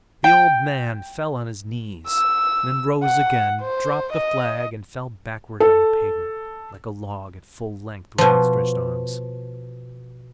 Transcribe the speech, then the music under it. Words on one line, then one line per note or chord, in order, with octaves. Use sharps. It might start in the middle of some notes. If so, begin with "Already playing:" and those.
The old man fell on his knees, then rose again, dropped the flag and fell backwards on the pavement, like a log, at full length, with outstretched arms.
G5
E6
F#5
C5
D#5
A4
B2 F3